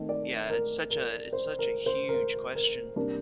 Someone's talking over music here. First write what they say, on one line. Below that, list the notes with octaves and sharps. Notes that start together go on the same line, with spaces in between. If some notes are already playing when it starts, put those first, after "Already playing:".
Yeah, it's such a it's such a huge question,
Already playing: D#3 A3 C4 D#4
D5
A#4
A#4
C5
A#4
C5
A#4
C5
A#4
C3 G3 A#3 D4 A#4